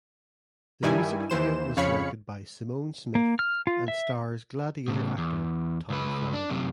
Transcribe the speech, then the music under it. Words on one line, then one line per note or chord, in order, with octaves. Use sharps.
The music video was directed by Simone Smith and stars "Gladiator" actor Tommy Flanagan.
G2 D#3 G3 E4 G#5
D#2 E3 C5 E7
F2 C#3 C#5 F5 B5 C#7
A#3
F6
F4
E5
A2 C#3
E2
C#2 B4
D4
F#2 C3